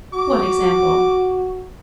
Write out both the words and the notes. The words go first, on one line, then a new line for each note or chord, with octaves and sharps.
"What example?"
F#4 D6